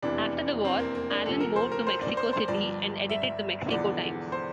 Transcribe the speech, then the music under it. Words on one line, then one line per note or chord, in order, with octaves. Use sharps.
After the war, Allen moved to Mexico City and edited the "Mexico Times".
F1 E2 C3 E3 D4
C4
A#3
A#3
D4
D2 C3 F3 A4
A#4
C5
A#4
C5
D5
C5
C5
G1 G2 F3 D5
E5
E1 E2 D3 F3 D5
C5